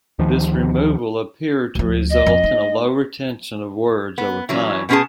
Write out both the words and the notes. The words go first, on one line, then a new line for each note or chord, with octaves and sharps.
This removal appeared to result in a low retention of words over time.
D2 D#3 F3
D2 F3
D#5
F2
A3 D#4
B3
E3 F#3 C#4
B2 B3 C#4 F4 G#4 A5